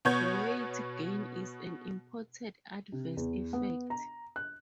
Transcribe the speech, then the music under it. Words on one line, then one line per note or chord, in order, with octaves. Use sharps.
Weight gain is an important adverse effect.
B2 B3 F#4 C#5 G6 G#6
C3
E2
B3
A#5
F#6